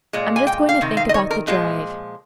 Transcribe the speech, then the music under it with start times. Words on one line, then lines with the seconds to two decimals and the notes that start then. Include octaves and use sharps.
I'm just going to think about the drive.
0.13 A#2 G#3
0.36 G#5
0.47 G5
0.69 F5
0.81 C3 D#3
0.97 F5
1.09 D#5
1.14 C#5
1.31 A#4
1.47 A#2 F3 G#3 F4